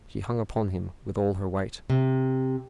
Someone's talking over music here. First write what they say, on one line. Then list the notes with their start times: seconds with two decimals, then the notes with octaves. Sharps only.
She hung upon him with all her weight.
1.90 C3